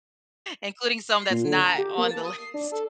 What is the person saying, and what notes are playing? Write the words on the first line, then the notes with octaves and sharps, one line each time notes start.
including some that's not on the list.
C6
A#2
D3
A#5
G4
A#3
A5
D#6
C7
D4
A4